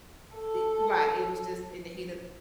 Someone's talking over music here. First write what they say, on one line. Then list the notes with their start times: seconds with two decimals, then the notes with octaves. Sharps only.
eh right, it was just in the heat of
0.35 A4